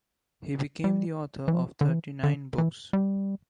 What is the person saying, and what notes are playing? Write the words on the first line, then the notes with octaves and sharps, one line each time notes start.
He became the author of thirty-nine books.
G3
E3
F3
D3
E3
D3
E3
G3